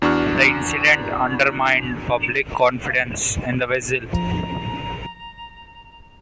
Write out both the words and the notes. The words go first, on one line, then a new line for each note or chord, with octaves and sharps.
The incident undermined public confidence in the vessel.
E2 D4 F#4 C#6 F6
F3 A#5